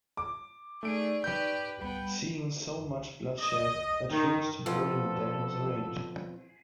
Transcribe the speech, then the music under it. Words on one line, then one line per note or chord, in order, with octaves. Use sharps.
Seeing so much blood shed, a truce to bury the dead was arranged.
D6
A3 D#4 G#4 D5 C#6 D7
G4 B4 G6
G3 B3 G5 B5
D#5
D#3
F2 B2 F3 A4